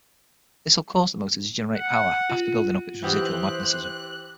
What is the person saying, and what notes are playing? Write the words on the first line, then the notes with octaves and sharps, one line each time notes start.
This will cause the motor to generate power after building up its residual magnetism.
F#5
F4
E3 G4 C5 D#6 F#6